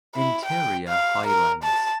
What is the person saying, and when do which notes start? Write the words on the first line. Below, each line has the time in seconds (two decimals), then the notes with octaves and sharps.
Interior Highlands.
0.15 E4
0.45 G5
0.88 F5
1.27 A#4
1.63 A5